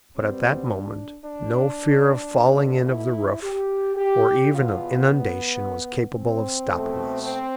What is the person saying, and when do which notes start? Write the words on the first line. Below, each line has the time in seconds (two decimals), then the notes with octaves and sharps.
But at that moment no fear of falling in of the roof, or even of inundation was capable of stopping us.
0.17 B2 G3 B3 C4
0.71 D4
1.26 D4
2.35 B2 A3
2.89 E4
3.43 G4
3.97 G4
4.51 E2 B2 B3 F4
5.06 B3
6.14 C4
6.69 B2 A3
7.23 C4